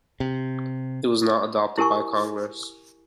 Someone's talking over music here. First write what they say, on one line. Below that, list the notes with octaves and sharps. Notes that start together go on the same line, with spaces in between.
It was not adopted by Congress.
C3
E4 G4 A#4 G#5 C#6